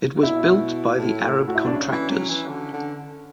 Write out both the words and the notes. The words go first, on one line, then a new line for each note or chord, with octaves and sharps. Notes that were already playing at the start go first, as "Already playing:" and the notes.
It was built by the Arab Contractors.
B2 E4
A2
A2
A2 F#4
E4
B2 D4
C#3 C#4
E3
F#3
E3
D3
D3